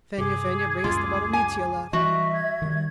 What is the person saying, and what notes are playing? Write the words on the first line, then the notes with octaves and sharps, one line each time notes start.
Fenya, Fenya, bring us the bottle Mitya left!
G2 C3 G#4 D6
C#2 F#2 A#2 F4 D6
G#5
E3 G3 F#4 D#5 E5
G#6
D#3 G3